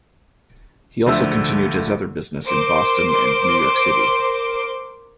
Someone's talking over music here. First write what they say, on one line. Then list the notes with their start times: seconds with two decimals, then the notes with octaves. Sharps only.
He also continued his other business in Boston and New York City.
1.06 D2 D3 F3 C5 E5 E6
2.46 A#4 C5 C6 D6 D7